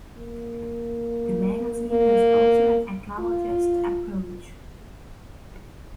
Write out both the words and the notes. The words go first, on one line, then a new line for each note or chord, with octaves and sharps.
The magazine has also an ecologist approach.
A#3
A#3
F4